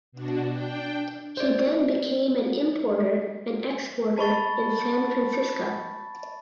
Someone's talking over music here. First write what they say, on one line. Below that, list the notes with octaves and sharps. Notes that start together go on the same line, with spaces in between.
He then became an importer and exporter in San Francisco.
B2 D4 F#4
D4 G5
C5 D5
A5 B5 C#6 A6